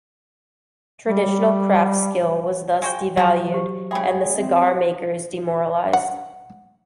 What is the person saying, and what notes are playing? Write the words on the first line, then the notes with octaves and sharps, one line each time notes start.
Traditional craft skill was thus devalued and the cigar makers demoralized.
G3
G#3 F#4 G5
F#3 G#3 F#4
G4 C5
C#3 G#3 G#4 E5 G5 B5
G3 G#3 C4 D#5 E5
F#5